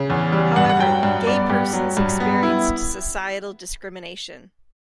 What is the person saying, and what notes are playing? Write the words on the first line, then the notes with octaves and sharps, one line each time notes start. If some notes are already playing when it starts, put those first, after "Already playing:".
However, gay persons experienced societal discrimination.
Already playing: C#3
E2
G3
G2 F#5
F#5
F#3 G5
G2
B3 D5
G2 G4
F#3
G2
B3
E4